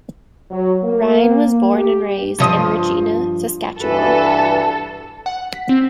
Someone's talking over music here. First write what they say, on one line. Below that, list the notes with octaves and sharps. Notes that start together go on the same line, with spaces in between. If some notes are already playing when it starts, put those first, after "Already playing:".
Ryan was born and raised in Regina, Saskatchewan.
F#3
A#3
G4
G2 F3 D#5
G2 E3 F#4 A4 B4
F#5
B6
C4